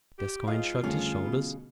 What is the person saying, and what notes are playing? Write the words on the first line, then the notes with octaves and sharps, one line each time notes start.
Gascoyne shrugged his shoulders.
G4
G#2 F4 G#4 D#5 F5
F2 D3 G3 A3 C#4 G#4 F5
B2